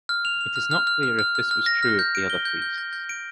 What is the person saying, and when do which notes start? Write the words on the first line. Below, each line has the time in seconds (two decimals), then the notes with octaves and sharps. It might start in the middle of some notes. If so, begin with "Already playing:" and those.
It is not clear if this was true of the other priests.
0.09 F6
0.25 F7
0.41 F7
0.56 F6
0.71 F6
0.87 F6
1.03 F6
1.19 F6
1.35 F6
1.51 F6
1.66 A#6
1.83 F6
1.99 G6
2.15 D7
2.30 G7
2.45 G6
2.62 G6
2.78 G6
2.93 G6
3.09 D7